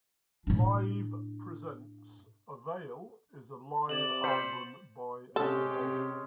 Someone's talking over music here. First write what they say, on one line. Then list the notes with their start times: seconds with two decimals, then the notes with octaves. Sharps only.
Live Presents...Avail is a live album by Avail.
0.47 A2 D4
3.89 C3 D5 A6 E7 F#7
4.24 C5 B5 G6 C#7
5.36 C3 G#3 C#4 G4 A4